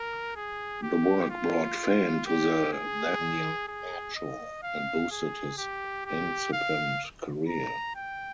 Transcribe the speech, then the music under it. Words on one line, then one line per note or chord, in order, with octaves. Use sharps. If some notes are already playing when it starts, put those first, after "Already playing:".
The work brought fame to the then young Macho and boosted his incipient career.
Already playing: A#4
G#4
G4
F4
G4
G#4
G#4
D#5
F5
G#4
G4
G4
F5
A#5
G5